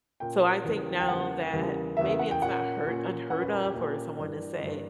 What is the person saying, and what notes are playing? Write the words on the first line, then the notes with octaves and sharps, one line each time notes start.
So I think now that maybe it's not hur unheard of for someone to say,
A#2 A#3 C#4 G5
E2 C#3 E3 G3 A#3
G5
E2 C#3 E3 G3 A#3 F#5
E2 C#3 E3 G3 A#3
E2 C#3 E3 G3 A#3 E5
E5
F#5
G5
A#2 A#3 C#4 F#5
A#2 A#3 C#4
A#2 A#3 C#4 F#5
B4
A#4
G4
A#2 A#3 C#4 G4
G2 E3 A#3 D4
G2 E3 A#3 D4